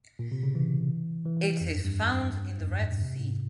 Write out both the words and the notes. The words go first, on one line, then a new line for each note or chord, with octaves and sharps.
It is found in the Red Sea.
A#2
C3
C#3
E3
E3
E3
F2
G2
G2
F2
G2
G#2
A#2
C3
G#2